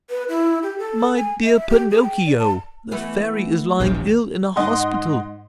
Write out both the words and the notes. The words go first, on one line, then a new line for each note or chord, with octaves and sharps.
"My dear Pinocchio, the Fairy is lying ill in a hospital."
B4
E4
G4
A4
G#5
E5
G4
G#4
G5
D5
A5
E3 A3 B3
D#1 A#1 G4 C5 C#5
G#2 D#5 F#5 C6